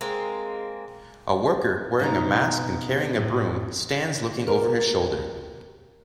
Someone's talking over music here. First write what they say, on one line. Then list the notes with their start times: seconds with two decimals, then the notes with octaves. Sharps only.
A worker wearing a mask and carrying a broom, stands looking over his shoulder.
0.01 G#3 A#3 C4
1.99 B2 D#4 A#5
3.16 A2
4.47 G4 A#4